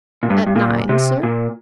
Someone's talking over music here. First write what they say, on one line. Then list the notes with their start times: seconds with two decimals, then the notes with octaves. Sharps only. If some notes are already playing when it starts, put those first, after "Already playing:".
"At nine, sir?"
0.23 A#2
0.30 G2
0.47 G2
0.56 A#2
0.89 C3
1.23 A#2